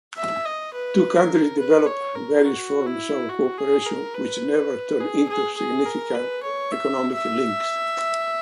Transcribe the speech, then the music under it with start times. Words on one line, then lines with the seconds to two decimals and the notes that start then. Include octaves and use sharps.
Two countries developed various forms of cooperation which never turned into significant economic links.
0.17 E5
0.46 D#5
0.73 B4
1.16 A#4
1.59 B4
1.87 C#5
2.16 A#4
2.45 F#4
2.87 E4
3.29 F#4
3.58 G#4
3.86 A#4
4.14 B4
5.00 G#4
5.29 G#4
5.57 G#4
5.86 A#4
6.14 B4
6.43 C#5
6.72 E5
7.14 E5